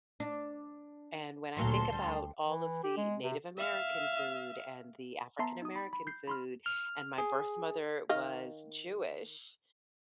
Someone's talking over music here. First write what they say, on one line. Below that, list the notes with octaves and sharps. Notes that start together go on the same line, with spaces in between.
and when I think about all of the Native American food and the African American food, and my birth mother was Jewish,
D4
D2 A#2 F#3 A4 C6
G3
E3
G4
G#3
C3
E5 F5
B3 E5 A5 A#5 C6 C7
D#4 D#6
B5
B5
G6 C7
B5 C6 F6
F6
G#4
D#3 D#5 F5